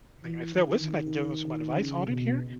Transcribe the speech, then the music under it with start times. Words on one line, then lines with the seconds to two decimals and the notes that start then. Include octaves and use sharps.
mean, if they'll listen, I can give them some advice on it here.
0.24 E3
0.53 D#3
0.84 D#3
1.75 C#3
2.05 B2